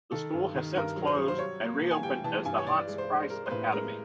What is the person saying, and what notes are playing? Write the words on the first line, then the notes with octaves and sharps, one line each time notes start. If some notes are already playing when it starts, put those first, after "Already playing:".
The school has since closed and re-opened as the Hans Price Academy.
D#3 A4
G2
D#3
G2 A#4
F#3
C5
F#3
C5
G3 C#5
A#3
E3
G#5
G3 G5
E3 A5
G2 G#5
C#5
E3 D5
G#3
C5
G#3
G#3 A#4
C5
A2 B4
G#3 A#4